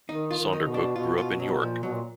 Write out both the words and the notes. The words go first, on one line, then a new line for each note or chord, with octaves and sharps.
Saundercook grew up in York.
D#3 D#4
F4
D#3
D#4
B2
D4
B2 F4
B2 F4
B2 F#3
A#2 F3
B2 F#3
A#2